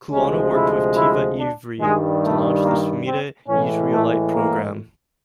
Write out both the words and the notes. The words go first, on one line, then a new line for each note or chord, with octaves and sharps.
Kulanu worked with Teva Ivri to launch the Shmita Yisraelit program.
D2 C3 F3 G#3 C#4
E4
E4
D4
G2 D#3 G3 G#3
A3
A#3
C4
A2 E3 G#3 C#4
A3
A#3